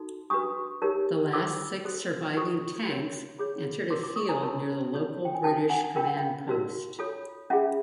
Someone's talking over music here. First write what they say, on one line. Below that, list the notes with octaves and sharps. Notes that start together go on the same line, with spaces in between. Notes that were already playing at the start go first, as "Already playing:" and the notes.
The last six surviving tanks entered a field near the local British command post.
Already playing: D#4 F#4 A4
D4 F#4 B4 C#6 D#6
D#4 G4 A#4 C#5
F4 A4 C5 D6 E6
F#4 A4 C5
F#4 A4 C5 C#6 D#6
F#4 A#4 C#5
F4 G#4 C#5
F#4 A#4 C#5 C6 D6
C6 D6
C#6 D#6
G#5 A#5
F4 A#4 C#5 A5 B5
D#4 F#4 A4 C#5
G5
G#5
C#4 F#4 A4 G5 A5
F#5 G#5
D4 F4 A#4 G5
F#5
F5 G5
D#4 F#4 A#4
F4 A4 C#5
C#4 F4 G#4 E5 F#5